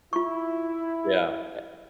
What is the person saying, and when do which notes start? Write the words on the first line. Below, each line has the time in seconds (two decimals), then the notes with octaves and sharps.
Yeah, eh
0.13 E4 F4 C#6